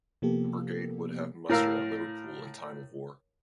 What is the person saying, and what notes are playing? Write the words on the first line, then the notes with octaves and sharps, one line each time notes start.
The brigade would have mustered at Liverpool in time of war.
C3 F3 A#3 B3 G4 A4
A2 A#4 F5 E6